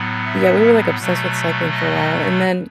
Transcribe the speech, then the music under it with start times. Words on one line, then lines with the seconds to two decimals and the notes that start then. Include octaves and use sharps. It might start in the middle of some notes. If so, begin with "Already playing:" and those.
Yeah, we were, like, obsessed with cycling for a while, and then
Already playing: A2 F#3 B3
0.25 E5
0.98 B2 F#3 A3
1.70 D#5